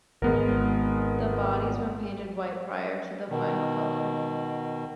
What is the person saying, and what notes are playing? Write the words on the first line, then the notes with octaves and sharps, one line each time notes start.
The bodies were painted white prior to the final color.
G#1 G#3 B3 A#4
B2 D#3